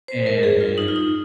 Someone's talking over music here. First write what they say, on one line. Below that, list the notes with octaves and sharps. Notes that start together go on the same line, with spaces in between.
And and
C5
A#4
G#4
F4
D#4
F4
D#4